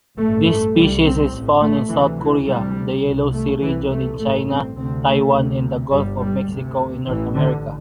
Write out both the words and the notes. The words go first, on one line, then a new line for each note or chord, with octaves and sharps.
This species is found in South Korea, the Yellow Sea region in China, Taiwan and the Gulf of Mexico in North America.
A1 G2 A3
A3
C2 C3 G3
C4
A1 A2
A3
D2 C3 E3
E3
D2 C3 G3
C2 C3
A3
C2 C3 E3
A3
A1 G2 A3
C4
D2 C3 C4
A3
D2 C3
G1 G2 G3
G3
D2 C3
A1 A2 E3
D3